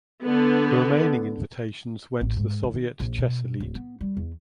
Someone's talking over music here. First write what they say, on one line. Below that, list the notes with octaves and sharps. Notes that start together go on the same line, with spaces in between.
The remaining invitations went to the Soviet chess elite.
D3 B3
A1
G#2
D#3
A#1
B2
D1
B3
G3
E2